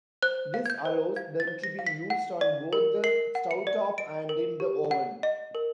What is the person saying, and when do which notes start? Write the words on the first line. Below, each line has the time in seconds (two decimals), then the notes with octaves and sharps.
This allows them to be used on both the stovetop and in the oven.
0.22 C5 F#6
0.54 F5
0.66 G#6
0.70 G6
0.85 C5
1.16 F5 G#6
1.40 A6
1.48 C5
1.63 A#6
1.79 F5
1.86 B6
2.10 F#5
2.41 D5
2.73 A#4
3.04 A#4 C7
3.35 F#5
3.51 C#7
3.67 D5
3.98 D#5 D7
4.29 A#4
4.60 G4
4.91 F#5
5.23 D#5
5.55 A#4